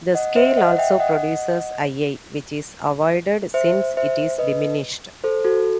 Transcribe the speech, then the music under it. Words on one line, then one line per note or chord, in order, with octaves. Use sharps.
The scale also produces ii, which is avoided since it is diminished.
D#5 F#5
C5 E5
D#5 F#5
E5 G5
D#5 F#5
C5 E5
C5 E5
B4 D#5
A4 C5
F#4 A4